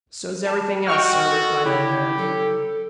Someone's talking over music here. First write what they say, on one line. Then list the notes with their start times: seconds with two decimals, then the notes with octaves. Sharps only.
"So's everything else, sir," replied the American.
0.45 A5
0.86 F#4 D#5 G5 C#6 F6
1.31 A4
1.65 C#3 E4 G4 C#5
2.18 F#3 A4